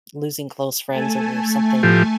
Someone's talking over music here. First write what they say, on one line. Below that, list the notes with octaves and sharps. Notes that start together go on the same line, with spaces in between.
losing close friends over something
A3 G#5 A5
A2 F3 G4